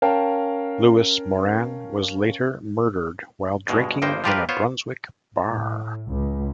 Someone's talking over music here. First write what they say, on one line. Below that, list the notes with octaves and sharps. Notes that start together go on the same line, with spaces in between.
Lewis Moran was later murdered while drinking in a Brunswick bar.
C#4 A#4 F5 G5 A5
G2 B2 G#3
G1 G2 A#3 D#4 C5 G5
F3 G3 F4 G4 A#4 B4
B3 F4 C5 C#5
A2
C#2